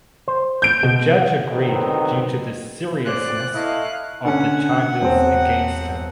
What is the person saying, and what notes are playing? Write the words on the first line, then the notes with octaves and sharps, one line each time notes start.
The judge agreed due to the seriousness of the charges against him.
C5
G6 D7
B2
F#5
D3 D#3 F#3 B3 C4 D#4
C#4 F4 C5 D5 F#6
E4 A4 C#5 D#5 F5
D3 C#4 F#5
E1 C4